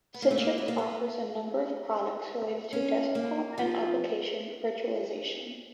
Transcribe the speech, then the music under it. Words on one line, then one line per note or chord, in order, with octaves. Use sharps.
Citrix offers a number of products related to desktop and application virtualization.
B3
A#3
A3
A#3
B3
A#3
B3
C#4
A#3
F3